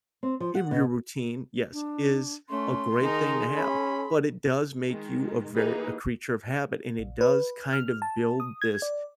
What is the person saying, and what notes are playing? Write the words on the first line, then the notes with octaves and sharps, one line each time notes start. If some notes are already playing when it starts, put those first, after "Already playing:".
In your routine, yes, is a great thing to have, but it does make you a ver a creature of habit, and it does kind of build this
C4
F3
F#5
B2
D4
A3 C#4 C6
D#3 D#4 G#4 A#4
C#4 B5
D#3 G#3
E3 A#3 D#4 G4 G#4 B4
A#1
B4
F6
A5
D#6
G#6
D5